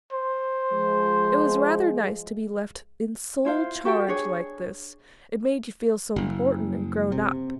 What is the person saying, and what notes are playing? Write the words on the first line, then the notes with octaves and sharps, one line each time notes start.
It was rather nice to be left in sole charge like this--it made you feel so important and grown-up.
C5
F3 G#3
E4 F4 C5 F5
F#4 G4 A4 G5
D4 G#4 C#5
F#1
C3